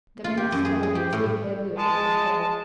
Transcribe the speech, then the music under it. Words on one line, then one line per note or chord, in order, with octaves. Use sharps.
The minestrone is equally good eaten cold.
F4
G4
F#2
G#4
G#4
G4
A2
G#3 A5